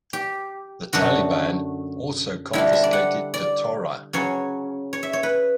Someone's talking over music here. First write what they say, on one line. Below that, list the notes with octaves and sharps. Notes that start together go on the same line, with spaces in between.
The Taliban also confiscated the Torah.
G4
F#2 D3 A3 F#4
D3 G3 D4 E4
E5
D5
F#5
D5
C#3 F#3 C#4 C#5
C#5
E5
C#5
B4